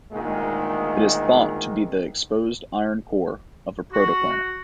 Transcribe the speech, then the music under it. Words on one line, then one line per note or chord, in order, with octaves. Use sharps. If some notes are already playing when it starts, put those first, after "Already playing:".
It is thought to be the exposed iron core of a protoplanet.
D2 A#2 D#3 G#3
F#4